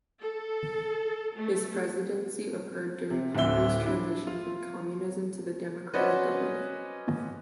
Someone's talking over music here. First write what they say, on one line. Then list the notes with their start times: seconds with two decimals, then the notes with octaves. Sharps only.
His presidency occurred during Hungary's transition from Communism to democratic government.
0.21 A4
1.34 A3
3.10 C3
3.35 D1 D3 E3 C4 E5 G7
3.83 D4 E4
4.27 F4
5.94 C#4 F#4 B4 C5 D5 D#5